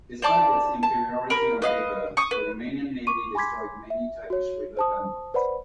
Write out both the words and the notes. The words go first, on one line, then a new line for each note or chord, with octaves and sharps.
Despite its inferiority on paper, the Romanian Navy destroyed many Turkish river gunboats.
C5 D5 A5 D6
A5
A#4 B5
B4 D#5 F5
C#6 D#6
B4
C#6 D6 D#7
G#5 B5 C6 D6 G#6 B6
E5
F#4 C#5
C5 A5 D#6
B4 C5 D5 F#5 B5